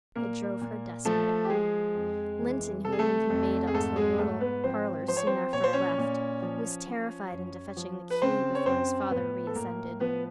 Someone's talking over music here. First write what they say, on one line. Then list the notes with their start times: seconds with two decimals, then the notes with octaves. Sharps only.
It drove her desperate. Linton who had been conveyed up to the little parlour soon after I left, was terrified into fetching the key before his father re-ascended.
0.15 A#2 A#3 A#4
0.61 A#2
1.05 F3 A3 A4
1.45 G4
1.50 F3 G#3 G#4
1.95 F2
2.40 E3
2.85 C3 A4
2.92 G#4
2.99 A3 A4
3.30 F2
3.67 G#4
3.74 G#2 A3 A4
3.96 G#3 G#4
4.18 G#2 A3 A4
4.40 B3 B4
4.64 F3 C4 C5
5.08 F3 C5
5.17 C#5
5.27 C4 C5
5.53 A#2 C#5
5.64 C5
5.73 C#4 C#5
5.98 A#2
6.42 F3
6.87 F3
7.31 F#2
7.77 F3
8.10 B4
8.22 C#3 C4 C5
8.55 C#5
8.65 F#2 C4 C5
9.11 A2 B3 B4
9.47 A4
9.55 A2 A#3 A#4
10.00 F3 B3 B4